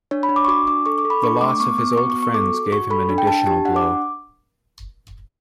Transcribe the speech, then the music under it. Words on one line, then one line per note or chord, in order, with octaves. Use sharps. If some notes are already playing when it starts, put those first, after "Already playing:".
The loss of his old friends gave him an additional blow.
D4 C#5
B5
D4
D6
C#6
F#4 D6
D4 D6
A4 C#6
D6
A4
B5
D4 C#6
A3 D6
B3 C#6
B3 D6
F#4 C#6
C#6
B3
C#6
A4 D6
F#4
F#4 C#6
A4 B5
D4
G5
D4 A5
G4 A5
D4 F#5
D6